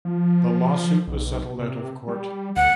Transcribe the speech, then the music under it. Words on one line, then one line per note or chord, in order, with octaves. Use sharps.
The lawsuit was settled out of court.
F3
B1
C3
G3
D2 F#5